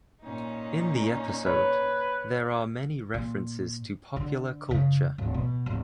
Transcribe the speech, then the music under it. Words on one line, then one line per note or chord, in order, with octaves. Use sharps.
In the episode, there are many references to popular culture.
A#2 C#4 D#4
B4 C#5
A#2
D3
F#2 C#3
D1
B2
D1